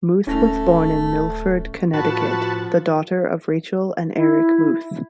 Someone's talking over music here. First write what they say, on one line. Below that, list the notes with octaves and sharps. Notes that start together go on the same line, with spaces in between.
Muth was born in Milford, Connecticut, the daughter of Rachel and Erich Muth.
D1 A3 C#4 A#6 F7
A2 F3 F#4 B4 A5
E4